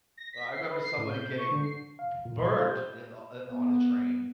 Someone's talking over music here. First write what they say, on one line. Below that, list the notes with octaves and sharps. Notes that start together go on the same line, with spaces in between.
Well, I remember somebody getting b b burned i on i on a train,
A#6
B6
C7
B4
C7
A2
G6
C#6
D3
C7
F5
A#2
D#5 B5 C6
F4 A4 C5 D5 F5
G4 G6
B3